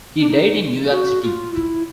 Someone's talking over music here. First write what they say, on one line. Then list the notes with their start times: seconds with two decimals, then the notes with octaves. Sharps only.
He died in New York City.
0.20 D4
0.29 D#4
0.91 F#4
1.23 F4
1.54 E4